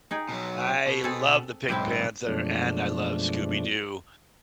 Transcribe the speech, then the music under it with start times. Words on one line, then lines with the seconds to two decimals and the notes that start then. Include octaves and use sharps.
I love the Pink Panther, and I love Scooby Doo,
0.11 D#4 G#4 G5
0.29 B2 F#3
0.87 B2
1.04 C4 G#4 A4
1.69 B1 G#2 C4 E4 G4
2.26 F#2 B2 F3 G#3 A3 D4